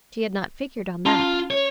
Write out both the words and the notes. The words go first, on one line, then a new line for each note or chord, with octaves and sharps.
She had not figured on that!
C#4 F4 A5 C6
C#5